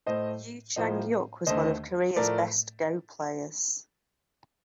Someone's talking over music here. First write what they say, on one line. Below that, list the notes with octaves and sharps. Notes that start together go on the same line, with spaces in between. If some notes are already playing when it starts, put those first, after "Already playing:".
Yoo Changhyuk was one of Korea's best Go players.
A2 A3 C5 D#5
A2 F3 A#3 C5 D#5
D#2 D3 A3 C5 D#5
A2 F3 A3 A#4 D5